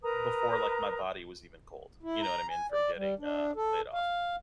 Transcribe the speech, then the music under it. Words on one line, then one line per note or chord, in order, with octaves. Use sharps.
before, like, my body was even cold, you know what I mean, from getting, uh, laid off,
A#4 B4 A#5 D#6
E4
A#5
G#5
D5
G3
D4
A4
F5